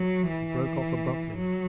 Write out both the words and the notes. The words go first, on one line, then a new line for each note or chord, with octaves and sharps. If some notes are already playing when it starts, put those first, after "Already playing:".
He broke off abruptly.
Already playing: F#3
E3
F#3